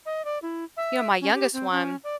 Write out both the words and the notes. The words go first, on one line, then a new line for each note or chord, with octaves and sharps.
you know, my youngest one
D#5
D5
E4
E5
C#4
G4
C4
C#4
D5